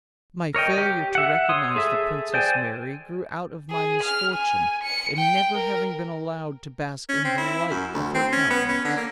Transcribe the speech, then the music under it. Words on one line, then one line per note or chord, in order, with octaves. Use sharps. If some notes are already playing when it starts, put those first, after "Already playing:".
My failure to recognize the Princess Mary grew out of my misfortune in never having been allowed to bask in the light of her countenance.
A#4 C#5 D#5 G5
G4
E5 F#5
C#5 C6 D#6
G#4 A4 E5
C5 D5 G5 G#5
G#4
F6
G#5
C#7
G5
A#4
C#4
C4
E4
F#2
D2
C4
C#4
B3
C#4
D3
A#3